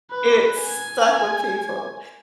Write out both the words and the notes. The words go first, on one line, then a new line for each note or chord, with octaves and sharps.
It stuck with people.
B4
G#5